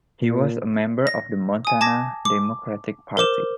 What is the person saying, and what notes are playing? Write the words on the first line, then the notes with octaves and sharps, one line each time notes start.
He was a member of the Montana Democratic Party.
A#2
A#6
G#5 D#6
A5 D6 G#6 A#6
D6
A#4 C5 D6 E7